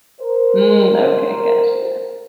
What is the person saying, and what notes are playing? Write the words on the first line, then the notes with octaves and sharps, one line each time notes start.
Mm, okay, gotcha.
A#4 C5